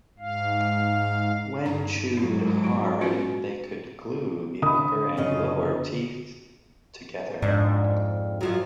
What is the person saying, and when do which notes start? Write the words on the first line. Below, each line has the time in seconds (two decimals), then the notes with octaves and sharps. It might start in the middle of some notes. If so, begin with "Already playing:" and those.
When chewed hard, they could glue the upper and lower teeth together.
0.19 G#2 F5
1.64 G2 D#4 A#5
2.17 G#2 F#3 E4
2.64 F#4
3.01 C#4 F4 F#4
4.63 D3 B5 D#6
5.17 F#2 C#3 D#5
7.42 F2 G#2 D4
8.41 F#2 F3 F#3